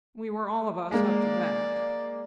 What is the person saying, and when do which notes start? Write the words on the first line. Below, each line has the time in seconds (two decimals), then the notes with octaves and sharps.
We were all of us up to that.
0.91 G#3 A#3 D5